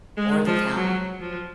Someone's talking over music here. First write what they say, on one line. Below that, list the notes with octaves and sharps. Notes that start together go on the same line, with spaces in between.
or the county.
G#3
F3
F#3
F3